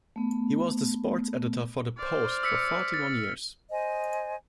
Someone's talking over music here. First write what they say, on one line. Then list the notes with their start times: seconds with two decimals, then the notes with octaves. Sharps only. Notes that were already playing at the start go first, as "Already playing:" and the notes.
He was the sports editor for the "Post" for forty-one years.
0.16 A3 B3
1.97 C5 D5 F6
2.43 E6 B6 C#7
2.94 A6
3.70 C5 D#5 G#5